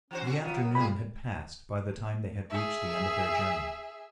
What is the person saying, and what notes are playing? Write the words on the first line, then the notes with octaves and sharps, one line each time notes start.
The afternoon had passed by the time they had reached the end of their journey.
E3 C#4 F#4 C5
A2 F#4
F#3 B3 F4
A#4
F2 G3 F4 G#4 B5
G#4 E5